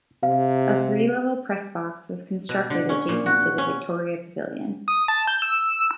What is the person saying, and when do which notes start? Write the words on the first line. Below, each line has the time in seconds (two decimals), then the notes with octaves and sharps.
A three level press box was constructed adjacent to the Victoria Pavilion.
0.23 C3 F5
2.49 B2
2.70 D3
2.89 C#4
3.09 A#2
3.26 F#4
3.58 C#4
4.88 D#6
5.08 A5
5.27 G6
5.42 E6